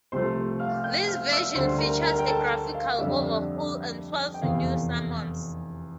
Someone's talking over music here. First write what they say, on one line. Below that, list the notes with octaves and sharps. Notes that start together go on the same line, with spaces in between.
This version features a graphical overhaul and twelve new summons.
C2 C3 F3 A3 C5 C6
F5 F6
G5 G6
F5 F6
E5 E6
D2 D3 G3 C5 C6
A#4 A#5
A#4 A#5
G5
A4 A5
F5
F2 D3 G3 E5
G5
F1 E2 C3 E3 F5